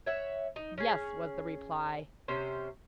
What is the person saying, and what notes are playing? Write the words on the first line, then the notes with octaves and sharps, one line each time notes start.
"Yes," was the reply.
C#5 E5 F#5
D#4
C#4 G#4
C3 C#4 C5